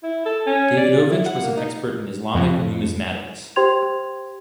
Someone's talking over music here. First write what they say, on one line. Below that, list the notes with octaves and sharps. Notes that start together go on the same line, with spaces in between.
Davidovich was an expert in Islamic numismatics.
E4
A4
C#4
D5
A#3
E4
F#5
A#3
D#4
F2
G4 C5 G5 C6 G#6 F7